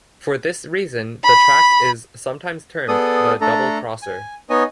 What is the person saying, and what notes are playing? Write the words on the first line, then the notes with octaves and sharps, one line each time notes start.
For this reason the tract is sometimes termed the double-crosser.
B5
B3 G#4 A4 D5 D#6
A3 D4 A4 A#5
G#5
B3 D#4 C#5 D#5 G#5